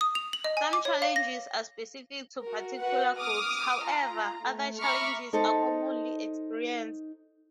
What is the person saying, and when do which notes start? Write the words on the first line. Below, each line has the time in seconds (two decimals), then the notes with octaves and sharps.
Some challenges are specific to particular groups; however, other challenges are commonly experienced.
0.01 D#6
0.15 F7
0.33 F#7
0.44 D#5
0.57 G#5
0.73 D6
0.85 C#5
1.02 F5
1.16 A#6
2.44 F#4 A#4
2.79 F#4 B4 F#5
3.18 D6 D#6 F6
3.84 F4 A#5
4.44 A3
4.80 E5 A#5 B5 C#6 D6 F6
5.33 D#4 A4 C5 A5